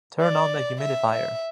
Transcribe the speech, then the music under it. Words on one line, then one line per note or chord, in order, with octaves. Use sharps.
Turn on the humidifier.
D5
E5
E5